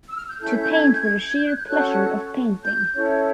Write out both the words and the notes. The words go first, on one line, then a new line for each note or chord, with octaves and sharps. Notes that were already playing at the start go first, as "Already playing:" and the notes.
To paint for the sheer pleasure of painting.
E6
F6
G6
C#4 E4 A4 G6
G6
G6
G#6
G#6
G6
G#6
G#6
G6
F#6
G6
C#4 F#4 A4 C#5 F#6
G6
C#4 E4 A4 C#5